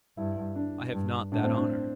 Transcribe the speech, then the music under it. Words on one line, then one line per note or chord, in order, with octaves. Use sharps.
"I have not that honor."
G2 E4
D4
G2
A2 D4
C4
D4